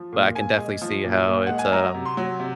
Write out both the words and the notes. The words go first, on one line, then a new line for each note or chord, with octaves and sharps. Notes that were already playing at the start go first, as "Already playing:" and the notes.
but I can definitely see how it's, um,
Already playing: F3
A#2
A#2 G#5
G#3
F3
A#2
A#2
G#3 F#5
G#5
F#3 A#5
C3
C6
F#3
C3